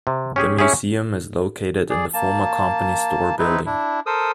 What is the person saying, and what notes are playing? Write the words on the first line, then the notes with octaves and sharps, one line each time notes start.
The museum is located in the former company store building.
C3
C#4 G4 G#4
C#4 E4 G4 G#4
G#4 D5
A#3 A5
C4 D#4 E4 B4
D4 E4
A4 A#4 C5 D#6 E6